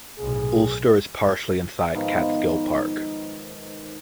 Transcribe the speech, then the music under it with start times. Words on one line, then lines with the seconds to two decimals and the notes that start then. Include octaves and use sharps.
Ulster is partially inside Catskill Park.
0.19 B1 A2 C3 G#4
1.94 G#2 D#3 F3 B3